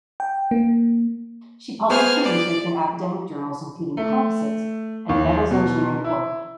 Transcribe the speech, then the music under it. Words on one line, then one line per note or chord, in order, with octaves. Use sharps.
She published her research in academic journals including "Composites" and "Metals Engineering" "Quarterly".
G5
A#3
B3 G#4 C5 G#5 F6
D5
A3
D#2
B2
E4